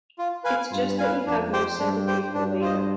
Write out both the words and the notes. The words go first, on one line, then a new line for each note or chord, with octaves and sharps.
It's just that you have no sympathy for labour.
F4
B4 F5 G#5
G2 F4
B4 F5 G#5
F2 D4
G4 C5 G5
G2 D4
G4 C5 G5
G2 D4
F4 C5 D#5